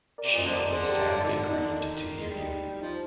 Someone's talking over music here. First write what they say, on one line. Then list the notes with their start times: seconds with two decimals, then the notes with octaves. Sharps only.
She’d be sadly grieved to hear you.
0.18 A#4 D5
0.24 C3
0.31 A#2 C5 D#5
0.45 D3 D#5
0.53 C3 A#4 D5
0.64 D#3
0.71 D3 G#4 C5
0.88 G4 A#4
1.24 D3 D#4
1.50 D#4
1.76 D#3 D#4
2.18 G#3
2.29 G3
2.82 F3 D#4